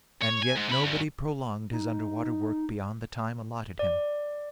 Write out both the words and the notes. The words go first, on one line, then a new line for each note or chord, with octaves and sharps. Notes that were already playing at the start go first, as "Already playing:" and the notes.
And yet nobody prolonged his underwater work beyond the time allotted him.
C#5
G#5
G#2
C3 B5
D2 G2
D#4
D5